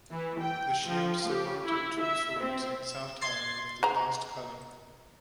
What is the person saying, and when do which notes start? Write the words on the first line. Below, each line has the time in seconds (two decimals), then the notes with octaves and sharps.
The shield surmounted two swords in saltire of the last colour.
0.11 E3
0.40 G5
0.87 F3
1.28 G4
1.65 E4
2.01 E5
2.40 C4
2.90 E7
3.21 C6 G#6 A6 C7
3.83 G#4 A#5